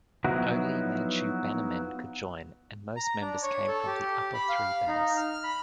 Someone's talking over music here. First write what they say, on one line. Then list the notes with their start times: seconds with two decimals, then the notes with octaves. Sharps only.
Only Manchu bannermen could join, and most members came from the upper three banners.
0.24 F3 F#3 B3 D#4 E4 F#4
2.96 A#5
3.22 D4
3.43 C#5
3.68 A4
3.87 G4
4.34 B5
4.49 F5
4.88 D#4
5.17 F6
5.44 B5